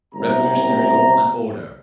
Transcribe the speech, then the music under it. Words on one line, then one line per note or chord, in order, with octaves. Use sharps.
Revolutionary law and order.
F#1 C2 C3 A#5